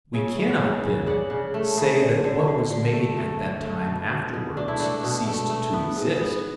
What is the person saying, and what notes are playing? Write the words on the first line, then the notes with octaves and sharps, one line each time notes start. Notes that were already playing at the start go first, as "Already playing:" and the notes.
We cannot, then, say that what was made at that time afterwards ceased to exist.
C#3 C#5 E5
E3
C#3
C#3
C#3 D5 F#5
C#3
A3
C#3
D3
D3
D3
D3
A3
A3
A3
A3
B2
B2
B2
A3 D4
E4
A3 D4 F#4
B2
A3
A3
B3
G#2
B3